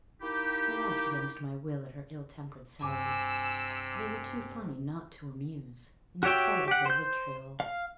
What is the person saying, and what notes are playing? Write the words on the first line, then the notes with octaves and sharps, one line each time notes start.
I laughed against my will at her ill-tempered sallies; they were too funny not to amuse, in spite of their vitriol.
A#3 D#4 E4 G4
G2 C3 G#5 D6 E6
F#4 G4 C#5 E5 G5
G4 F#5
C5 G6
F5